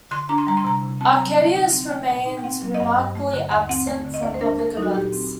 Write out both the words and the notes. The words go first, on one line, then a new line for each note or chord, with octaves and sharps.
Arcadius remained remarkably absent from public events.
D3 C6
D4 A#5
C6
G3 A#5
C6
C3 A#5
C3
C4 A5
F#3 A#5
A5
D3
D#4
C4
A3 G5
A#2 F#5
D#4
G5
C4 F#5
F#3
D#5
G2 F#5
G2
A3
D3
D#2 F#5
C4 F#5
A3 D5
D3
D#5
D2 D5
C5
D4 A#4
A3 A#4
A4
F#3 D#4
F#4
A#2 G4
C4